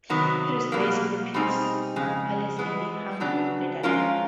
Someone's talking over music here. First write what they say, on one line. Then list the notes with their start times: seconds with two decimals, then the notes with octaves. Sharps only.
It is based in the Peace Palace in The Hague, Netherlands.
0.09 C3 D#3 F#3 B3
0.72 B2 F#3 A#3
1.34 B2 G3 C4 D#4 G#4
1.96 F2 C#3 G#3
2.59 E3 G#3 B3
3.20 C#3 F#3 B3 D4
3.83 F3 G#3 C#4 F4 A#4